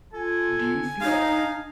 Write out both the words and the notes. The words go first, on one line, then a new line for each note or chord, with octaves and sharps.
do you feel
F4 A4 G#5
D4 D#4 F5